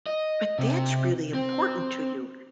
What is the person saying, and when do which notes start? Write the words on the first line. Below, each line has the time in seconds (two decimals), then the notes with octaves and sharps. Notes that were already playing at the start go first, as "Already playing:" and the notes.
but that's really important to you.
0.06 D#5
0.59 C3
1.34 C4